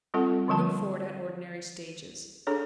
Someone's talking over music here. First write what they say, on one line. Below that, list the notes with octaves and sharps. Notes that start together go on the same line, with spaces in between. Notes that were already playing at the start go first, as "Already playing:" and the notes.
Good ford at ordinary stages.
G3 C4 F4 A4 F#5
D3 F3 G3 A5
D4 G#4 A4 C#5